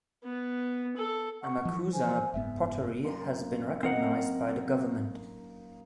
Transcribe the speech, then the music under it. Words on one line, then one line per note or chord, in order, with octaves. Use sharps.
Amakusa pottery has been recognised by the government.
B3
A4
F#5 C#6
E3 F3
C5 G#5
F#1 G#2 B3 E5
F#2 A#3 C6
C4 D#4 A#4 F#5